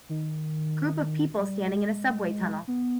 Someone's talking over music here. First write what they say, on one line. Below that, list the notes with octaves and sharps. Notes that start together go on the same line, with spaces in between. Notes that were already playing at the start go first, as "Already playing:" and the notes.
Group of people standing in a subway tunnel.
D#3
G3
G#3
B3